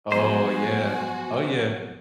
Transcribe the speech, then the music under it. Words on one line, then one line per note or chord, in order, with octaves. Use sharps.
Oh, yeah. Oh, yeah.
F3 F#3 B3 F#4 C5 G#5